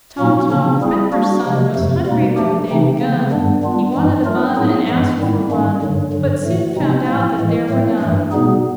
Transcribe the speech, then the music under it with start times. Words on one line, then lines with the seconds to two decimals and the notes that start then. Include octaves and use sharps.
Tom, Tom, the piper's son, Was hungry when the day begun; He wanted a bun and asked for one, But soon found out that there were none.
0.18 A#2 F#3 A#3 D#4 F#4
0.50 C#3 F3 A#3 D4
0.81 G3 C4 E4 G#4
1.13 G3 A#3 D4 F#4
1.44 C3 F3 G#3
1.75 F2 C3 F3 A3
2.06 B2 G3 A#3 D#4
2.37 F3 A3 D4 G4
2.69 C3 E3 A3 C4 D#4
3.00 C#3 F3 A#3
3.31 G2 D#3 G3 B3 D4
3.63 G3 B3 D4 F4
3.94 G2 E3 G#3 C4 D#4
4.25 F#3 A3 D4 F4 A#4
4.56 A2 F#3 B3 D#4 G#4
4.88 G2 E3 G#3 B3
5.19 G#2 D#3 G3 C4 E4
5.51 G#2 D#3 G3 A#3 C#4
5.82 G2 D3 F#3
6.13 G2 D3 F#3
6.44 A2 E3 A3
6.75 C3 F3 G#3 C4 D#4
7.07 A2 F3 A#3
7.37 A2 E3 G#3
7.70 A2 F#3 A3 C4
8.00 G2 E3 A3
8.31 B2 G3 B3 D#4 G#4